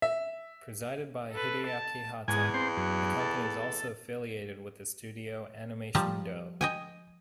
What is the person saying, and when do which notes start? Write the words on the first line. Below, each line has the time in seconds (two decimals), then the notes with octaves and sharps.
Presided by Hideaki Hatta, the company is also affiliated with the studio Animation Do.
0.02 E5
1.32 A4 B4
1.67 A5
2.28 E2 G#2 G#5
2.54 C4 C5
2.77 F#2
3.20 A4
5.95 F3 G3 A5 A#5
6.61 D#5 G5 G#5